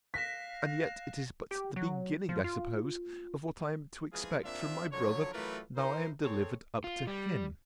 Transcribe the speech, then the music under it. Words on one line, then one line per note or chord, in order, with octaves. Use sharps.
And yet it is but the beginning, I suppose, of what I am to expect from my brother, now I am delivered up to him.
F5 F#6 A#6 B6 E7
G4
F#3
F3
F4
E3 F3 G#3 F4 G#4
A#2 A#3 C4 D4 F4 E5
D3 F3 F#3 C#5
E3 F#3 A3 F4 A#4 B4
D#4 E4 A#4 C5
C4 G#4 A4 C#5
F4
G3